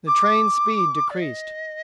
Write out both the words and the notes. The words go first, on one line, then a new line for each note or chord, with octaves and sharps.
The train's speed decreased.
D6
D5
D#5